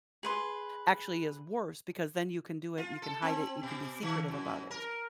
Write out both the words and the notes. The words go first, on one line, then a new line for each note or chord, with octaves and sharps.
actually is worse because then you can do it and you can hide it, you can be secretive about it.
G#4 B4 C6
F4
A4
C4
B2
D#3
F#2
A#4